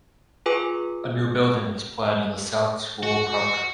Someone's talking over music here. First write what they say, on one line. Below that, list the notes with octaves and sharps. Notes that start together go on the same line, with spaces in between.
A new building was planned on the South School property.
F4 G#4 B4 G#5 D6
F#4